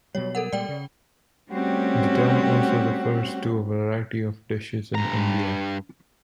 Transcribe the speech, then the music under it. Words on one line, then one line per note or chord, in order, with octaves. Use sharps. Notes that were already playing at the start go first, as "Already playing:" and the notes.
The term also refers to a variety of dishes in India.
B2 F#3 G3 C#5
A4 A#4 F#5
A#2 G3 G#3 D5 G5
C#3
G3 A3 C4 C#4 F#4 G4
G2 A#5